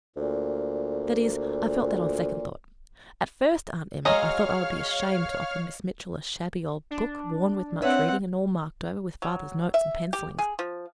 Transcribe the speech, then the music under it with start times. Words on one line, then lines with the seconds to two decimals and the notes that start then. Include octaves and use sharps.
That is, I felt that on second thought. At first, Aunt Emmy, I thought I would be ashamed to offer Miss Mitchell a shabby old book, worn with much reading and all marked over with father's notes and pencillings.
0.16 D2 A#2
4.05 F#3 G#3 C#5 D#5 F5 A#5 F6
6.91 D4
7.82 C4 B4 C#5 E5 F#5
9.22 F#3
9.74 E5
10.13 G4
10.39 G#4
10.59 F3